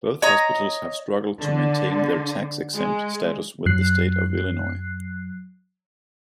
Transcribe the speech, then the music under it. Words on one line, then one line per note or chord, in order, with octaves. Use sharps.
Both hospitals have struggled to maintain their tax-exempt status with the State of Illinois.
C#5 D#5 A#5
D3
G#3
F#2 F#3 F#6 C7